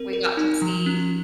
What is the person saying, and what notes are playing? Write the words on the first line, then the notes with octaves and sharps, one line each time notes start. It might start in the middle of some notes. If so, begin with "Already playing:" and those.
we got to see
Already playing: C4 A#4
A#4
D#4
F3
C#4